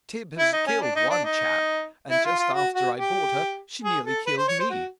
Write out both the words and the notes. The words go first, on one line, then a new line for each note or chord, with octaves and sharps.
Tib has killed one chap; and just after I bought her she nearly killed me.
E4
D#4
C#4
D4
D#4
D4
D#4
E4
F4
F4
F#4
F#4
G4
G#4
A4
B4
C5
C#5
C5
F#4